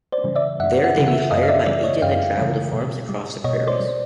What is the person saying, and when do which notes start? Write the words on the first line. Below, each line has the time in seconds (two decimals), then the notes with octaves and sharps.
There they be hired by agents and travel to farms across the prairies.
0.12 C5 D5
0.24 C#3 E3 G3
0.36 D5 E5
0.60 F#2 E5 F#5
0.84 E5 F#5
0.96 C#3 E3 G3
1.07 E5 F#5
1.30 F#2 D#5 F5
1.43 F5
1.48 D5 E5
1.66 C#3 E3 G3 D5 E5
1.84 C#5 D#5
2.02 F#2 F5 G5
2.38 C#3 E3 G3
2.73 B2
3.09 G3
3.44 B2 C#5 D#5
3.67 C5 D5
3.80 G3